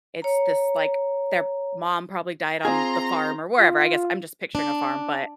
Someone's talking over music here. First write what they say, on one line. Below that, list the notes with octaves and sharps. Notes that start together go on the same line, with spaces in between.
it's just, like, their mom probably died on the farm or wherever, I guess I'm just picturing a farm, but
C#5 A#5
C4 F4 G#4 A#5 C6
F4
D4